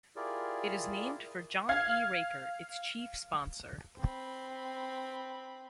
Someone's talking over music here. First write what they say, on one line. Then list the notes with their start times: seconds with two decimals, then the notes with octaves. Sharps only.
It is named for John E. Raker, its chief sponsor.
0.16 E4 F4 G4 G#4 A#4 D5
1.69 F5 F6 G#6
3.98 C4 B5